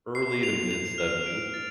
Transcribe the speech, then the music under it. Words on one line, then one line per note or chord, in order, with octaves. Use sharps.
early to mid-seventies,
C7
F7
F7
F6
D7
A6